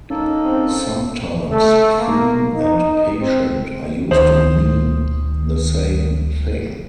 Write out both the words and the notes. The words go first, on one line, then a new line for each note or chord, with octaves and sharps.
Sometimes, "theme" and "patient" are used to mean the same thing.
A#3 C#4 D#4 A4
C4
A3
A#3
D#4
C4
D2 D#3 C5